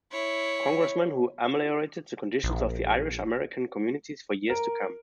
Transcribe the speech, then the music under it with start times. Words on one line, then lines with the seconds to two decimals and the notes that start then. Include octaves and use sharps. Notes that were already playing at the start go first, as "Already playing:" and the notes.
Congressman who ameliorated the conditions of the Irish-American communities for years to come.
0.11 E4 C#5
2.43 A#1
4.50 A#4